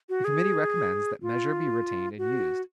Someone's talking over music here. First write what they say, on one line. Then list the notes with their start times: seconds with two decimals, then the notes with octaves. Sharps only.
The Committee recommends that Measure be retained and used.
0.09 F#4
0.24 G#4
1.22 F4
2.18 F#4